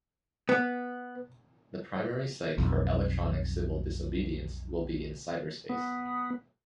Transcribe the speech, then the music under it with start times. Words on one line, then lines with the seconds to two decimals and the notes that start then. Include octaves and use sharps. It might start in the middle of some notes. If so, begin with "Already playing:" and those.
The primary site for Electronic Civil Disobedience will be in cyberspace.
0.49 B3
2.58 B1 F2
5.69 B3